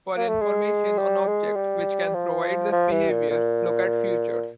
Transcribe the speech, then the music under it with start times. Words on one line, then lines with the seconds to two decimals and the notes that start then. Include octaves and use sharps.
For information on objects which can provide this behavior, look at "futures".
0.17 A#3
0.28 A3
0.41 G#3
0.98 G3
1.28 G#3
1.56 G3
2.14 F3
2.72 F3
2.91 E3
3.10 A#2
3.30 A#2